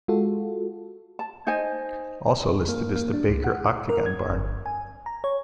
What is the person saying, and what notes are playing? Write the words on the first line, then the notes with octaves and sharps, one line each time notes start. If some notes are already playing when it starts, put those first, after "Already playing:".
Also listed is the Baker Octagon Barn.
G#3 F4 F#4 A4
A5
D#4 C5 D#5 G#5
A#3
A#3
D4
C#2
F#5
A#4
G#6
G1
G#5
A#5
C#5